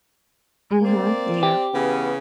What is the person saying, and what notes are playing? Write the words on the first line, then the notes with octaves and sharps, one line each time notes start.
Mhm. Yeah.
A#3 C4 D5
G4
C#3 E3 B3 C#4